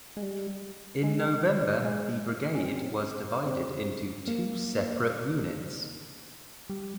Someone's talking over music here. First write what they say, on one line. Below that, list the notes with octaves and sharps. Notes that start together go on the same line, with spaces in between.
In November the brigade was divided into two separate units.
G#3
G3
G#3
G#3
C#4
C4
C4
A#3
G3